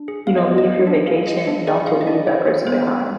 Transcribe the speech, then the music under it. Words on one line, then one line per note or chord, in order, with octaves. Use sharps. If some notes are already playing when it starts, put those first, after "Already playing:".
you know, leave your vacation and also leave that person behind.
Already playing: D4
G#4
B3 F5
D#5
B3 D5
D#5
B3
D4
G#4 F5
G#4 D#5
D4
G#4 D5
G#4 F5
D#5
D4 D5
G#4 C5
G#4
B3 C5
B3